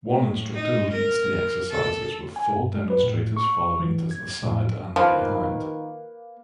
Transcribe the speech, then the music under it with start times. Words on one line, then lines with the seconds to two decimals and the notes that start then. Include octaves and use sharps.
One instructor leads the exercises, with four demonstrators following to the side and behind.
0.11 A2
0.53 D#4
0.92 A#4
1.71 A4
2.36 G#5
2.56 G2
2.76 G#3
2.90 B4
3.03 A2
3.37 C#6
3.58 C#6
3.80 E3
4.11 G#6
4.43 A2
4.96 D#3 F3 A#3 B4